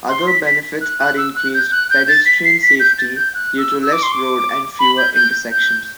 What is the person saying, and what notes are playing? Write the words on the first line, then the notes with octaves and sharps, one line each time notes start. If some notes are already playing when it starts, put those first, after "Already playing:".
Other benefits are increased pedestrian safety due to less road and fewer intersections.
C6
B6
B6
F#6
F#6
E6
F#6
G6
F#6
G6
A6
B6
C7
B6
G6
A6
G6
F#6
E6
E6
D6
C6
D6
B5
G6
G6
G6